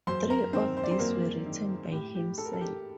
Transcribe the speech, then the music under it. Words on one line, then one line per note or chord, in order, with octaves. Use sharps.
Three of these were written by himself.
F#2 C5 C6
A#4 A#5
D#3 C4 C5
C5
D5
C4 C5
F#2 A#3 A#4
D#3
A2 G4
G4
A4
A#4
A4
G4